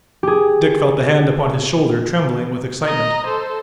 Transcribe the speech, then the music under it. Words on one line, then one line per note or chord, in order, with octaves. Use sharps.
Dick felt the hand upon his shoulder trembling with excitement.
G4 G#4
D#5 A#5
A4 C5